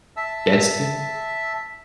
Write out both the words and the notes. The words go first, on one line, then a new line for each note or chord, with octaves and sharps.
Against you?
E5 A5 E6